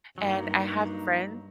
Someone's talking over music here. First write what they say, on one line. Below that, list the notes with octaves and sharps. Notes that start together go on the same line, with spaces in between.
and I have friends
G2 F#3 A#3 D#4